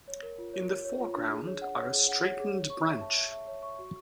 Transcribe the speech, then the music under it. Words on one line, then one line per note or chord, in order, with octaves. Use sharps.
In the foreground are a straightened branch.
C#5
A#4
F4
C#5
C#5
C#5
F4
D4
G#4
C#5
F#5
C#5
G#4
F#5
C#5
G#4
C#5
C#6
E5
A5
E5
E5
C#5
C#6
F#4